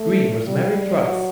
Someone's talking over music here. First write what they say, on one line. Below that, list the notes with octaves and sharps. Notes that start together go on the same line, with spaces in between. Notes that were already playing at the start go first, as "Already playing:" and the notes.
Green was married twice.
Already playing: A3
G3
F#3